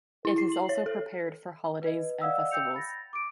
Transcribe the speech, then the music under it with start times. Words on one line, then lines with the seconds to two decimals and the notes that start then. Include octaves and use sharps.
It is also prepared for holidays and festivals.
0.25 E4
0.38 C7
0.52 F#7
0.69 C#5
0.86 A4
1.82 B4 D#5
2.21 D5 D#5 F5 F#5 D#6 E6
2.51 G5 E6 G6 C#7 F7
2.74 B5 A6 A#6
3.13 D6 D7